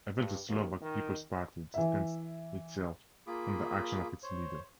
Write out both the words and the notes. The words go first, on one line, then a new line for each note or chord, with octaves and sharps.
Even the Slovak People's Party distanced itself from the action of its leader.
G2
D#2
D#3
E3 E5
A#3 F4 G#4 B5 D6
C5 C#5